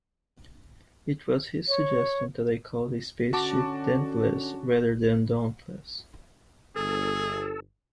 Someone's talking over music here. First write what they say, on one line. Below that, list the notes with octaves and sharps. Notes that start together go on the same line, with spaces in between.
It was his suggestion that I call the spaceship "Dentless" rather than "Dauntless".
C#5
D3 C#4 F#4 A5 D6
G1 G#4 A4